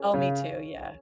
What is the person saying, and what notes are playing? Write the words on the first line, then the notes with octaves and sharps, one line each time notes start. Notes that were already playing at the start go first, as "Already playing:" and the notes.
Oh, me too, yeah.
Already playing: C#4 F4 G#4 A#4 C#5
C#3